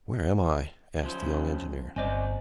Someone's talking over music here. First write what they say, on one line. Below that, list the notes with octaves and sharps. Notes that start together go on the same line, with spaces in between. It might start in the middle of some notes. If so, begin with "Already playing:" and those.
"Where am I?" asked the young engineer.
F3 C#4 C5
G1 C4 C5 D5 D#5 G#5